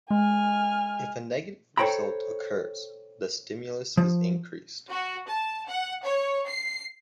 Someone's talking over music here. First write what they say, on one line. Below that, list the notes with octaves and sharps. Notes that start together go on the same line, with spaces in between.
If a negative result occurs, the stimulus is increased.
G#3 G#5 F6
A4 C5 C#5 G5 A#5 B5
F3
F#4
A5
F#5
C#5
C7